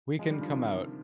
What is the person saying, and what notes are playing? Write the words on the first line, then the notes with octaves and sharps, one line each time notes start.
We can come out.
F3 G#3
D#3 G3
D3 F3
C3 D#3